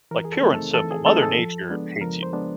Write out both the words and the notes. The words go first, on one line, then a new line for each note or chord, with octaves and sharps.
like pure and simple. Mother Nature hates you.
E3 A#4
G#4
A4
A3 C4 D#4
A4
E3 A4
G#4
A3 C4 D#4 A4
G#4
A4
F3
G#3 B3 D4
F3 A#4
C5
G#3 B3 D4